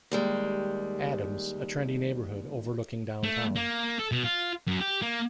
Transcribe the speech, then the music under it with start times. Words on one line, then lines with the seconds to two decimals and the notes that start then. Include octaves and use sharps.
Adams, a trendy neighborhood overlooking downtown.
0.12 D#2 G3 G#3
3.23 A3
3.56 A#3
3.99 A4
4.12 B2
4.24 F4
4.67 F#2
4.81 G4
5.02 A#3